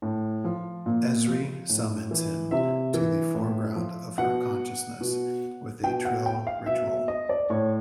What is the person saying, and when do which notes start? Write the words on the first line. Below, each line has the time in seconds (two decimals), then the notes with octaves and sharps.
Ezri summons him to the foreground of her consciousness with a Trill ritual.
0.02 A2
0.44 F3
0.86 A#2
1.28 F3
1.69 A2
2.11 E3
2.51 C3 E5
2.94 E3
3.35 A2
3.76 F3
4.18 B2 F#5
5.01 B2
5.83 B2 G5
6.05 F#5
6.26 G5
6.47 F5
6.66 B2 E5
6.87 E5
7.08 D#5
7.29 D5
7.50 A2 C#5